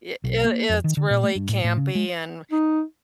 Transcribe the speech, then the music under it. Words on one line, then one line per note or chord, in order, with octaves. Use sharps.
y it it's really campy, and
B1
A#3
F2
D#3
D3
A#2
A3
G2
A2
A2
C#3
G#3
D#4